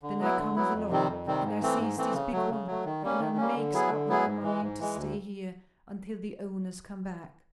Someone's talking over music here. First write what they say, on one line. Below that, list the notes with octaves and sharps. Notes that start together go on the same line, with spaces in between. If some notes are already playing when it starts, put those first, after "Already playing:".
Then I comes along, and I sees this big one, and I makes up my mind to stay here until the owners come back.
D3
F#3 B3 E4
D3
F#3 B3 E4
F2
C3 D#3 G3 C4
F2
C3 D#3 G3 C4
G#2
E3 A3 C4
G#2
E3 A3 C4
C#3
F#3 A3
C#3
F#3 A3
D#3
G3 A#3 C#4
D#3
G3 A#3 C#4
D3
F#3 B3 E4 G#4
D3
F#3 B3 E4 G#4
G#2
E3 G#3
G#2
E3 G#3
D2